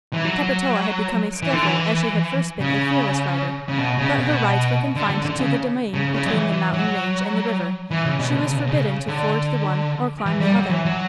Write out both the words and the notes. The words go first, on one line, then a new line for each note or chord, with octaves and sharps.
Capitola had become a skilful as she had first been a fearless rider. But her rides were confined to the domain between the mountain range and the river; she was forbidden to ford the one or climb the other.
E3
F#3
E3
D3
E3
C#3
C#3
B2
C#3
B2
D3
D3
D3
C#3
C#3
C#3
F#3
E3
E3
F#3
E3
C#3
B2
D3
C#3
B2
C#3
D3
E3
G3
F#3
E3
F#3